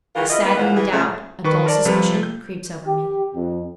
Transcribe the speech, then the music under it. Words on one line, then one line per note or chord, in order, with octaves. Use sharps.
A saddening doubt, a dull suspicion, creeps over me.
D#3 E3 F4 F#4 G#4 A#4
E4 F4 D#5
A#3 B3 D#4 B4
A#2 E3 B3 C5 F5 F#5
E3 G#4
C#3 F3 A3
D#3 B4 C#6
A#4 C5 D5 A5
C3 F3 G3 F4 A4 B4
G6
G4
F2